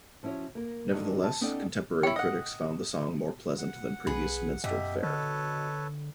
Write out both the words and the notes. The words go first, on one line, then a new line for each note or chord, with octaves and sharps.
Nevertheless, contemporary critics found the song more pleasant than previous minstrel fare.
F3 C#4 E4 F#4 C#5
A#3 A#4
G2 D3 D#3 D4 D#4 F#4
A5
B3 C#4 D#4 A4 D5 G5
E4 C#5 G5
D#5 F#5
F#5
B1 G#4 B4
F#2 B2 G4 E5
D3 A4 B4 C#5